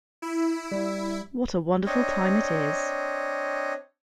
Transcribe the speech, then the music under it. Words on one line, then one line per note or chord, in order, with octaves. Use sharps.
What a wonderful time it is!
E4
G3
C4 D4 C#5 D#5